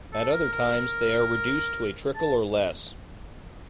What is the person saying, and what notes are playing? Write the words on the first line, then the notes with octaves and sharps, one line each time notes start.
At other times they are reduced to a trickle or less.
A4
A#4
A#4
A5